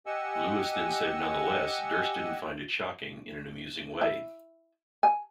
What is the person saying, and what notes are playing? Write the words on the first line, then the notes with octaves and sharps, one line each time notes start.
Lewis then said nonetheless, Durst didn't find it shocking in an amusing way.
G4 D#5 F#5 G#5 E6
E4
G#5